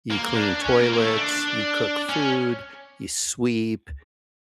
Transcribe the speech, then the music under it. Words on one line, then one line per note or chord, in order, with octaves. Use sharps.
You clean toilets, you cook food, you sweep.
A#3
D4
C#4
A#3
A#3
A3
D4
C#4